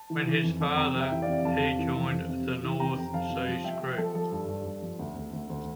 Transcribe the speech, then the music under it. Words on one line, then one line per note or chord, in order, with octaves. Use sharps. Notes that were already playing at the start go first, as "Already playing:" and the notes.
When his father he joined the North Sea Scroop.
Already playing: A5
E3
E3
F2
F2
C3 G5 A#5
F2
E5 G5
E3
D5 F5
C3
F2 F5 A5
C3
E3
F2
F2
C3
F2
E3
C3 G5 A#5
F2
F2 F5 A5
C3
F3
F3 E5 G5
F3
F3 A4
F3 A4
G2
G2
G2
F3
D2
D2
D2
D2